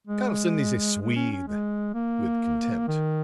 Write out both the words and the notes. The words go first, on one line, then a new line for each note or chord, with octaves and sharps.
"Karlson is a Swede," with contempt.
G#3
G#3
C#4
C#4
G#3
A#3
D#3